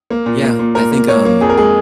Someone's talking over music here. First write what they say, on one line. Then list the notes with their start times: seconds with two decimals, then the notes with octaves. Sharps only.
Yeah, I think, um,
0.10 A#3
0.26 A#2
0.43 A#3
0.59 A#2
0.75 A#2 A#4
0.91 A#3
1.08 A#3 C#5
1.25 A#3
1.41 F2 G#4
1.49 A#4
1.57 G#3 G#4